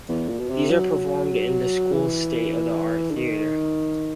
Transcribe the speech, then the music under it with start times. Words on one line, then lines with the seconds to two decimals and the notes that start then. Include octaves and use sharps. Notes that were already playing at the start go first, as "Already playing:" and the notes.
These are performed in the school's state of the art theatre.
0.09 E2
0.29 A#2
0.40 B2
0.50 C3
0.70 F#3
1.92 E3
3.11 D3
3.16 D#3